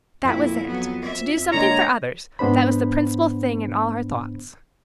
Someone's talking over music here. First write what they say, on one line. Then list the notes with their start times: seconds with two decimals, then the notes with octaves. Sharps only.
That was it--to do something for others, that was the principal thing in all her thoughts.
0.25 F2 A#2 E4
0.67 F#3 B3
1.02 E5
1.52 D3 G#3 A#3 C#5 A#5
2.39 G#2 B3 D4 C5 B5